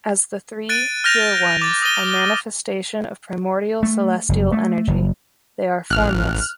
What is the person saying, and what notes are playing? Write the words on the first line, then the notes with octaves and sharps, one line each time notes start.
As the Three Pure Ones are manifestation of Primordial Celestial Energy, they are formless.
F#6 A6 D7 D#7
F6 G6 A#6 F7
D6 A6
D#6 A6 A#6 D#7 G7
A3
F#1
A3
F#1
A1 F6 F#6